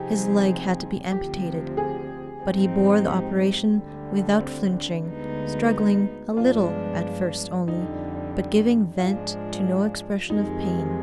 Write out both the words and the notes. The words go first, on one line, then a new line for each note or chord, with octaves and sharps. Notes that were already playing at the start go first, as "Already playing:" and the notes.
His leg had to be amputated; but he bore the operation without flinching, struggling a little at first only, but giving vent to no expression of pain.
Already playing: C3 F3 C4 D#4 G4 G#4
D2 C3 F3 C4 G4
G#4
G#2 F3 G#3 C4 D#4
G4
D2 D3 G3
C4
D4
D2 D3 G#3 B3 D#4
G2 F3 G#3 B3 D4 F4
F2 D3 G3 D#4
G#2 F3 G#3 D4 F4
F2 C3 D#3 G#3 D#4